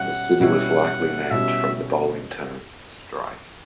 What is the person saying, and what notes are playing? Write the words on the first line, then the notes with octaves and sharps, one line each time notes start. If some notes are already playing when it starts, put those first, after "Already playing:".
The city was likely named from the bowling term "strike".
Already playing: B2 G3 C#4 E4 F#5
B2 G3 C#4 E4 F#5
B2 G3 C#4 E4 E5